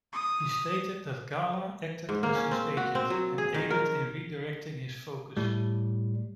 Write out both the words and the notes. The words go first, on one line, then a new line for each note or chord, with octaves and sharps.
He stated that Gala acted as his agent, and aided in redirecting his focus.
D#6
G#2
A#3
C#4
C4
F#4
C4
F#3
G#4
D#3
A#4
A2 G3